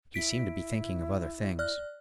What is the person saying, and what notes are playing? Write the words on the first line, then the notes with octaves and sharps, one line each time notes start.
He seemed to be thinking of other things.
E4 B6 D7
D5 F6 F#6